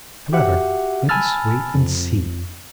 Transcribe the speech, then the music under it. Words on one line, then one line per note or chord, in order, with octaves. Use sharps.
However, let us wait and see.
F#4 G4 E5 F#5
G#5 A5 B5 E6 F6 A6
F2